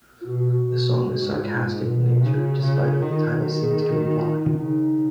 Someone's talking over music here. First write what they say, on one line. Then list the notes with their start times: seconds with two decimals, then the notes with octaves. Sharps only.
The song is sarcastic in nature despite what its title seems to imply.
0.21 F4
0.26 B2 F#4
0.39 F#4
0.52 F#4
0.65 B2
1.05 G#2
1.36 F#4
1.44 F4
1.83 B2
2.23 C#3 D#4
2.36 F4
2.49 F#4
2.62 C#3 F4
3.02 D#3
3.41 D#3 F#4
3.55 F#4
3.60 G#4
3.80 G#4
3.93 F#4
4.06 F#4
4.20 F4
4.33 D#4
4.46 F4
4.54 C#4
4.59 C#3 D#4